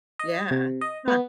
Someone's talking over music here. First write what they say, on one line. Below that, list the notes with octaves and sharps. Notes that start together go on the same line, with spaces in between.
Yeah. Huh.
D#5
C3
D#5
B3